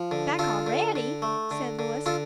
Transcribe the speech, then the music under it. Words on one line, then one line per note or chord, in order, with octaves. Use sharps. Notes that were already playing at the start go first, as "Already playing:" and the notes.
"Back already!" said Louis.
Already playing: F3
D3
D3 F4 A4
D3
D3
A3
D3
D3
D3 F4 A4